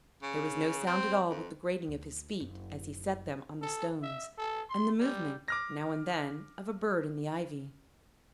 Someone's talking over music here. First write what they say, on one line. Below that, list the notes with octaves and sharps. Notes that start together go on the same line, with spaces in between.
There was no sound at all but the grating of his feet as he set them on the stones, and the movement, now and then, of a bird in the ivy.
C#3
C4
F2
D2
F#1
A4
E5
A4
C6
G3
D6 F6 A#6